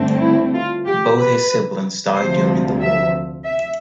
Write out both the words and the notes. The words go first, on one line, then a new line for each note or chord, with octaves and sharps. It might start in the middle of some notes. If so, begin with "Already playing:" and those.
Both his siblings died during the war.
Already playing: G2 D3 A3 C4
E4
F4
G4
B4
D2 C3 F3 C5
E5
E5